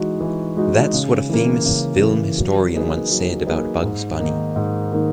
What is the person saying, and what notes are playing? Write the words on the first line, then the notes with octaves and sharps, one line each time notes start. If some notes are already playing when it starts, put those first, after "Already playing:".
That's what a famous film historian once said about Bugs Bunny.
Already playing: E3 G#3 D#4 F#4
E3
G#3 D#4 F#4
C#3
E3 A#3
C#3
E3 A#3
F#3
A#3 D#4 G#4 B4
F#3
A#3 D#4 G#4 B4
G#2
D#3 A#3 D#4
G#2
D#3 A#3 D#4